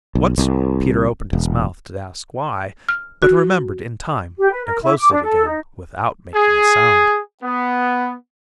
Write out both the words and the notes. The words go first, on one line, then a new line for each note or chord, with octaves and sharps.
Once Peter opened his mouth to ask why, but remembered in time and closed it again without making a sound.
B1
C2
E1
F6
F#4
G4
B4
A#4
E4
D6
D4
A4
D#4
G#4
B3